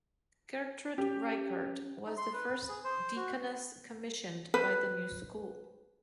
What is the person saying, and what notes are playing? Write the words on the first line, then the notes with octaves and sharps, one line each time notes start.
Gertrud Reichardt was the first deaconess commissioned by the new school.
C#4 G4
D#4
C6
B4
G#4
C5
F#4
B4 C5